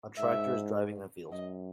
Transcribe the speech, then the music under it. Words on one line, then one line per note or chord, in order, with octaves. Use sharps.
A tractor is driving in a field.
G#2 E5
F#2 D#5